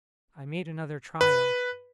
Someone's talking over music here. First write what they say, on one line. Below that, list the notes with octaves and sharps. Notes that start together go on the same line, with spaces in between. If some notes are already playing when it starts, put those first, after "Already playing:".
I made another trial.
B4